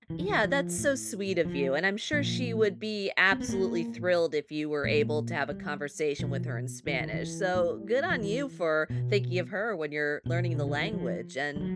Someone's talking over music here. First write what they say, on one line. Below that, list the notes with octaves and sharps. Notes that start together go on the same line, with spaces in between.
Yeah, that's so sweet of you, and I'm sure she would be absolutely thrilled if you were able to have a conversation with her in Spanish, so good on you for thinking of her when you're learning the language, and,
E3
F3
E3
F3
A2
F3
A#2 F3
C4
B3
A2 A#3
A#2 G#3
G3
B2 F3
E3
D#3
E3
A2
F3
E3
B2
B2
D3
D#3
E3
F3
G3
F#3